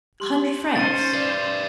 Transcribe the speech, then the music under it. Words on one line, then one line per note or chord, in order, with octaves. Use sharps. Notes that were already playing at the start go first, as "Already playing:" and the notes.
"A hundred francs."
G4 C6 F#7
C3 C#4 D#4 C5 A6 D#7
B4 D5